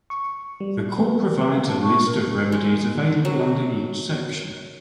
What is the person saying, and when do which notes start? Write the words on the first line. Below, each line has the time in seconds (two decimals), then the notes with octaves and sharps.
The Court provides a list of remedies available under each section.
0.10 C#6
0.60 G3
0.98 B3
1.39 B4
1.54 F5
1.68 A5
1.82 C#6
2.06 A#4
2.52 G#3
3.25 F#3